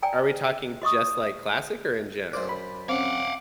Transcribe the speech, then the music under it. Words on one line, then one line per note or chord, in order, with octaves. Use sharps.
Are we talking just like classic, or in general?
D5 G5 G#5 A#5
F#4 D#5 C#6 D#6
F#2 C5 D5 D6
B5
C4 C#4 F5 F#5 D6